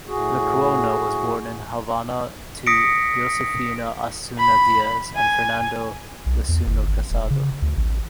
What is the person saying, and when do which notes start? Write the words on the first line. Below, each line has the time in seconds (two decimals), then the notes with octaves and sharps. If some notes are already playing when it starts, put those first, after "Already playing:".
Lecuona was born in Havana to Josefina Asencio Diaz and Fernando Lecuona Casado.
0.07 A2 F#4 G#4
2.67 D#6 A#6 B6 C#7 D7
4.39 B5
5.16 G#5
6.26 B1
6.48 E2
6.67 G1
6.87 G#1
7.10 E1
7.30 C#3
7.62 D2
7.77 A1